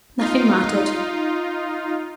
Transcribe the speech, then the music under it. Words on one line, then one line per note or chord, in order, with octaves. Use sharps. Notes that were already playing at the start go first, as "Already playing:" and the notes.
Nothing mattered!
D#4 F4